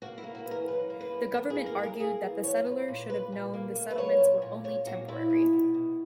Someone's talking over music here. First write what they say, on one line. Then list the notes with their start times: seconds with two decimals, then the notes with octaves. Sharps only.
The government argued that the settlers should have known the settlements were only temporary.
0.02 A#3 F#4
0.18 E4
0.24 A#3
0.35 F#4
0.46 E3
0.51 A#4
0.68 F#2 B4
0.90 A#3
1.01 B4
1.11 F#2
1.33 E3 A#4
1.50 G#4
1.55 A#3
1.66 A#4
1.78 F#2 G#4
1.83 A#4
2.00 A#3 G#4
2.21 E3
2.43 F#2 C#5
2.65 A#2 B4
2.88 A#2
3.10 A#2 B4
3.32 A#2
3.54 A#3
3.75 A#3
3.91 B4
3.98 F#3 C#5
4.21 A#2
4.42 A#2
4.64 A#2 C#5
4.86 A#2 F#4
5.08 A#2 E4
5.30 G#3
5.53 B2
5.74 B2